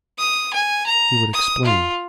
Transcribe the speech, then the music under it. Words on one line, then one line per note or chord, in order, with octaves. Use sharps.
He would explain.
D#6
G#5
A#5
D#6
F4